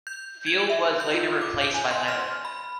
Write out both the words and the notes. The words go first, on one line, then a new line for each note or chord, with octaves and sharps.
Field was later replaced by Leonard.
G6
G#6
E5
G6
F4
D6
G6
G#5
C6
F6
B5